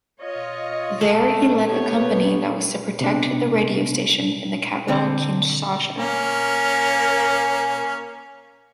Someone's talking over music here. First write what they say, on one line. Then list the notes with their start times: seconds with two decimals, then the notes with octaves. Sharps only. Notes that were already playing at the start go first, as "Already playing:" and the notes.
There he led a company that was to protect the radio station in the capital Kinshasa.
0.20 F4 C#5 D#5
1.01 A3
1.65 B3 G4 C#5
1.96 B4
3.01 C3 B3 D4
4.88 D3 C4
5.97 A#3 C#4